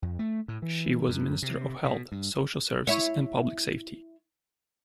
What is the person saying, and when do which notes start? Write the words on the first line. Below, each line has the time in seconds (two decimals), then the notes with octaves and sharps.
She was Minister of Health, Social Services and Public Safety.
0.02 F2
0.19 A3
0.48 A2
0.62 E3
1.09 F#2
1.42 C3
1.84 B2
2.12 G2
2.87 E4 C#5